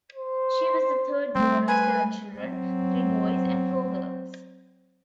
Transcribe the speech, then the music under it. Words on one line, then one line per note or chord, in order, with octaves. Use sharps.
She was the third born of seven children, three boys and four girls.
C5
G3 A3 C4
B4 G#5
F#3 C4